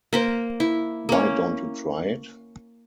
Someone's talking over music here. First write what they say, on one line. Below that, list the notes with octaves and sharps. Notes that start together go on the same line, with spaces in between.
Why don't you try it?
A#3 A#4 C5
E4
A#3 C#4